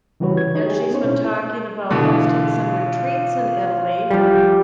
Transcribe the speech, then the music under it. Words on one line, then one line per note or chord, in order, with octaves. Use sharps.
and she's been talking about hosting some retreats in Italy,
C#3 E3 G3 F#4 B4 C#5
G#6
D#4 C#5
G4 G#4
B3 C#4 D#4 C5 C#5
B2 C#4 E4
B2 D3 E3 F4
F3 G3 G4